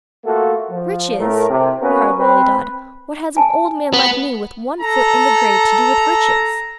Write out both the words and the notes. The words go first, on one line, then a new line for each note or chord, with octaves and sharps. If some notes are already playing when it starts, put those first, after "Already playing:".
'Riches!' cried Wali Dad, 'what has an old man like me with one foot in the grave to do with riches?
A3 A#3 F4 F#4 A4
F3
A2 A3 A#4
C3
A#3 B3 C#4 F#4 A#4 B4
C4 B4
G#5 A5
B3
A4 A#5